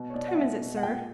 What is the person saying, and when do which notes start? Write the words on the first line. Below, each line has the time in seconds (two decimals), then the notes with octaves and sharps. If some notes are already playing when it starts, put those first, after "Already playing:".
"What time is it, sir?"
Already playing: B2
0.10 C#5
0.14 B2 D5
0.28 F#5
0.37 B2 E5
0.60 B2
0.77 F#5
0.83 A#2 G5